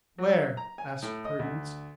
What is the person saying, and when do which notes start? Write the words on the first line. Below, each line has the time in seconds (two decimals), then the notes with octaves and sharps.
"Where?" asked Prudence.
0.19 F#3
0.57 A#5
0.78 G#5
1.02 A2
1.25 D#5
1.39 D2